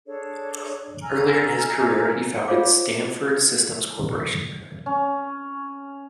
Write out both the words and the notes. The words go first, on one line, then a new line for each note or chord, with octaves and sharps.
Earlier in his career, he founded Stanford Systems Corporation.
D4 G#4 A4 C#5
G#5 A#5 E6 F6
F4 C5 C#5 F5 D6
C#4